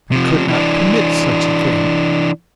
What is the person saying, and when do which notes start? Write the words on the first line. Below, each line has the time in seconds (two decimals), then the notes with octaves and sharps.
I could not permit such a thing.
0.12 C3 F3
0.48 E3 D4